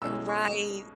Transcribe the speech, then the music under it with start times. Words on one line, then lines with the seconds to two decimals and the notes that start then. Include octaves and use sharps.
Eh, right.
0.02 B1 B2 G#3 C#4 E4 E6
0.29 C#6